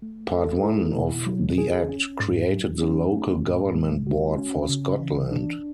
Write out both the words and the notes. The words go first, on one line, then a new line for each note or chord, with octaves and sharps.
Part One of the act created the 'Local Government Board for Scotland'.
A3
A4
E4
B2
F#3
G#4
C#4
G#2
F#3
C#4
A3
A2
G#3
F#4
C#4
C#3
E3
D4